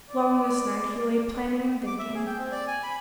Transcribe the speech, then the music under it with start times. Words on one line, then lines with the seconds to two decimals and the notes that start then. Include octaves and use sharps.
Long this night he lay planning and thinking.
0.10 D5
1.86 D6
1.99 E5
2.15 G#4
2.26 G5
2.39 C4
2.52 D5
2.67 G#5
2.83 B5